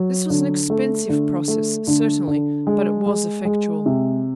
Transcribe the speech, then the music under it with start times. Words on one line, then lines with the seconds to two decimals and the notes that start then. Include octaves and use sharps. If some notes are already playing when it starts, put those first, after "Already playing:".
This was an expensive process, certainly; but it was effectual.
Already playing: F#3
0.30 D3
0.70 A3
1.09 D3
1.48 A3
1.87 D3
2.27 D3
2.67 G#3
3.06 G#3
3.45 G#3
3.86 C3